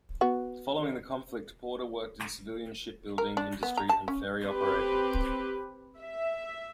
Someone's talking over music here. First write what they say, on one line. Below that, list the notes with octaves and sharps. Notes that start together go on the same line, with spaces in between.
Following the conflict, Porter worked in civilian shipbuilding, industry and ferry operations.
B3 F#4
A#4
D4
B3
A#5
A5
C#4
C4 G4 B4
E5